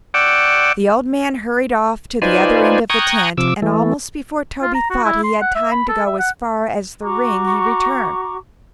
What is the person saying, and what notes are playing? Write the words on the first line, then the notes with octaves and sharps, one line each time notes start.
The old man hurried off to the other end of the tent, and almost before Toby thought he had time to go as far as the ring he returned.
D5 F#5 G5 C#6 D6 E6
D#4 F4 B4 C5 D5 G#5
G5 A#5 C#6 D#6 F#6 G#6
C3 F3 D6 E6
E3 A3
F4
A#5
F#4
E4
C6
F#5
E5
B5
A4
E5
F#5
F#4 A#5 C#6 D6